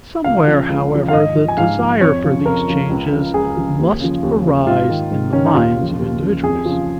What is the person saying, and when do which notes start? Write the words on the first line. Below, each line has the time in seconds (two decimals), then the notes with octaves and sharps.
Somewhere, however, the desire for these changes must arise in the minds of individuals.
0.24 C#2 F5
0.47 C#3 F3
0.69 C#2
0.92 C#3 F3
1.08 F5
1.13 G#2 D#5
1.35 F3
1.48 G#5
1.57 G#2 F5
1.79 F3
2.01 F2 C#5
2.24 C#3 F3
2.45 F2 A#4
2.68 C#3 F3
2.90 C#2
3.12 C#3 F3
3.34 C#2 G#4
3.57 C#3 F3
3.79 D#2
4.00 C#3 F3
4.23 D#2
4.44 C#3 F3
4.66 G#2 F4
4.89 D#3
5.11 G#2
5.33 D#3 C#4
5.45 D#4
5.54 D#2 F4
5.77 C#3 F3
5.99 D#2
6.21 C#3 F3
6.43 F2 G#4
6.65 C#3 F3